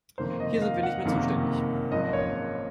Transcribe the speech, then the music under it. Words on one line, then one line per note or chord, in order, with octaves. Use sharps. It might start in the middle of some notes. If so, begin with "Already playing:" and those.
Hier sind wir nicht mehr zuständig.
F#1 F2 C3 D#3 A#3 C5
D#5
F5
F#5
F#1 F2 C3 D#3 A#3
G#1 F#2 F3 A#3 D#5
C#5